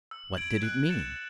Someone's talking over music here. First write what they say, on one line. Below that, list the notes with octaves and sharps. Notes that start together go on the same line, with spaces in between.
What did it mean?
E6
G#6 D7 F#7
F#6
A6 C#7 E7